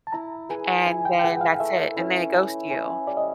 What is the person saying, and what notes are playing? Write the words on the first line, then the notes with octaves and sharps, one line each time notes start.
and then that's it, and they ghost you.
A5
E4 A#5
G#4 B4
E4 G#5
G5
G5
G#4 B4 F#5
F5
A3 E5
C#4 E4
A3
C#4 E4
G3 D5
D#5